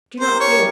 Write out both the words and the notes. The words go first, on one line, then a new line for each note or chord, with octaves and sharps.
Do not fear.
C#4 E4 G4 A#4 C5
C#5